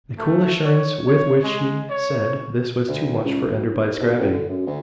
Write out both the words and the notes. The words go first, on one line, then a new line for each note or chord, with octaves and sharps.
The cool assurance with which she said this was too much for Enderby's gravity.
A3
C#5
C#5
G#3
C#5
D2
C#2
B1
E1
D#2
B2
A1
D3
F#2
D2